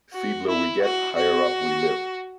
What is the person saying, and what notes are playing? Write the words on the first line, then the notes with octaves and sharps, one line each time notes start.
Feebler we get, higher up we live.
F#4
E4
F#4
F#4